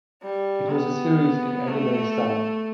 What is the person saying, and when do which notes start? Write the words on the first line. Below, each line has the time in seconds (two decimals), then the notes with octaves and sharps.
It was a series in anime style.
0.23 G3
0.70 B3
1.68 A3